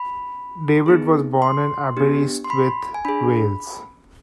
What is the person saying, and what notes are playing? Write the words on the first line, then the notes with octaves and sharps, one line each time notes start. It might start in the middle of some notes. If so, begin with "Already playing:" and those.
David was born in Aberystwyth, Wales.
Already playing: B5
B3 D#4 G#4
C6
B3 D4 G4
C6
B5
G#5
D4 G#4 B5